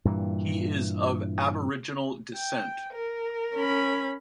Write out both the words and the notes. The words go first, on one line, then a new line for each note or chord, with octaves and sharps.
He is of Aboriginal descent.
G2 A#2 E3
G5
A#4
C#4 B5